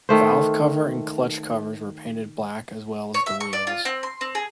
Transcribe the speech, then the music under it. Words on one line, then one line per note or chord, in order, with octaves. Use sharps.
Valve cover and clutch covers were painted black as well as the wheels.
D#3 A3 C5
C#5
E5
C#6
D5
F4
C4
C6
C4
G#4